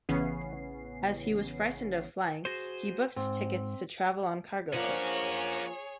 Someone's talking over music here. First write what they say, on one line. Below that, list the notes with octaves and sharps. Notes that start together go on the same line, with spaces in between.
As he was frightened of flying, he booked tickets to travel on cargo ships.
A1 C#3 E3 B3 C#4 C7
F#4 G#4 C5
G#2 C4
F3 A#3 C#4 D4 F#4 G#4 C#5